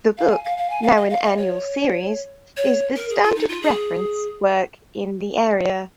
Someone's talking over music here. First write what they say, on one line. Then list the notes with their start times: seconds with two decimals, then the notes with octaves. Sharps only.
The book, now an annual series, is the standard reference work in the area.
0.18 F5
0.30 G#5
0.44 F5
0.57 F5
0.70 G#5
0.83 F5
0.97 D#5
1.10 F5
1.24 D#5
1.37 C#5
2.57 C#5
2.96 A#4
3.10 G#4
3.23 F4
3.36 D#4
3.49 F4
3.62 G#4